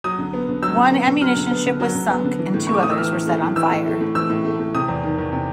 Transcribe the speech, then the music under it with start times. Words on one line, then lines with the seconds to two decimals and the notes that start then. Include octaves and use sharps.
One ammunition ship was sunk and two others were set on fire.
0.04 F#3 D#6
0.18 D3
0.33 B3
0.49 D3
0.63 F#3 E6
0.77 D3
0.92 B3
1.07 D3
1.21 F#3 F6
1.36 D3
1.51 B3
1.66 D3
1.80 F#3
1.95 D3
2.10 B3
2.24 D3
2.39 E3
2.54 A2
2.67 A3 C#6
2.74 D6
2.83 A2 D#6
2.90 E6
2.98 E3 F6
3.13 A2
3.27 A3
3.42 A2
3.56 E3 E6
3.71 A2
3.86 A3
4.01 A2
4.15 E3 E6
4.30 A2
4.45 A3
4.59 A2
4.75 C3 D#6
4.88 E2
5.04 D#3
5.18 E2
5.32 C3